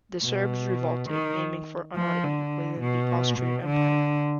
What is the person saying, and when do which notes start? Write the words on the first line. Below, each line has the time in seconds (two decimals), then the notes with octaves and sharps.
The Serbs revolted, aiming for autonomy within the Austrian Empire.
0.24 B2
1.09 D#3
1.95 F3
2.24 D3
2.80 B2
3.38 B2
3.66 D3